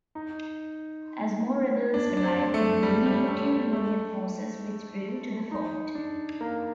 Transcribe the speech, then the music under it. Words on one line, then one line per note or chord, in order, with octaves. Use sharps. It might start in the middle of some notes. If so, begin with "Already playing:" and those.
As more Rebels arrived, the diminutive Union forces withdrew to the fort.
D#4
D4
D4
C4
A3
G3
G3
A3
A3
D#4
D4
A#3